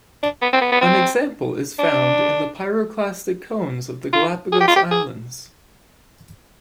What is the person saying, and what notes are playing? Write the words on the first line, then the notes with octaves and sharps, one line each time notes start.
An example is found in the pyroclastic cones of the Galapagos Islands.
D4
B3
C4
B3
B3
C4
D4
F4
G#4
G4
F4
G4
G#4